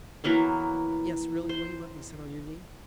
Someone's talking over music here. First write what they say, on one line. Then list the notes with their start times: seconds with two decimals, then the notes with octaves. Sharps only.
Yes, really, will you let me sit on your knee?
0.24 E3 F#3 A#3 B3
1.49 C5